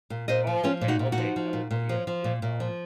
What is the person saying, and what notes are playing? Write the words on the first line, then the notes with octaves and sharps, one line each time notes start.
Oh, okay, okay. Animal Cro yeah, yeah, no.
A#2
A#2 C5 D#5
F3
F3 C#4 F4
A#2
D#4 F#4
A#2
D#4 F#4
F3
F3
A#2
A#2
F3
F3
A#2
A#2
F3